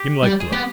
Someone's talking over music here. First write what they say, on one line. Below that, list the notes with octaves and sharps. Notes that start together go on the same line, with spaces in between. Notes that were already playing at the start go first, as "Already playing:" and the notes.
Heem like blood.
Already playing: G4
G3
G#4
B3 G4